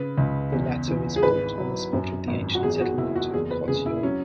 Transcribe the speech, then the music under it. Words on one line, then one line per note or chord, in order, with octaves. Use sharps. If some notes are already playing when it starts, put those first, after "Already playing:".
The latter was built on the spot of the ancient settlement of Kotyol.
Already playing: C#3 B4
C#2
E2
E3
G#4
G#1 B4
F#3
F#2
G#1
F#4
E2 G#4
G#4
F#4
F#1 E4
F#4
E2 G#4
B4
C#3 G#4
E4
F#3 C#4